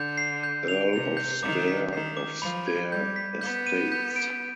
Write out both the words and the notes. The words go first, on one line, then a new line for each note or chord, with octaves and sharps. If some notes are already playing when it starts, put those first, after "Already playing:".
Earl of Stair of Stair Estates.
Already playing: D3 G6
C7
G6
F7
C3 F7
G6
D#3 D6
B6
D#3 C7
D6
F3 B5
G#6
G3 G6
B6
B3 G6
D#7
G6
D7